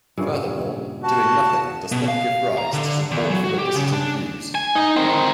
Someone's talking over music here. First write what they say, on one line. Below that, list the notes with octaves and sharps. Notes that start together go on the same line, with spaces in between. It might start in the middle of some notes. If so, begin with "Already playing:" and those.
Furthermore, doing nothing does not give rise to support for the dissident views.
G2 A#2 C#3
F#4 A5
B2
F5
A#5
D3
E2
F#3
F#4
G4
C#3
D4
G#5
D#4 D#5
C4 A#4